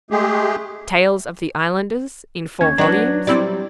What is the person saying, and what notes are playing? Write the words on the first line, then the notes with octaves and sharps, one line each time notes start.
Tales of the Islanders, in four volumes.
G#3 A3 G4 G#4
D#2 C#4 G#6
F#3 B3 D4
G3 C4 E4 D5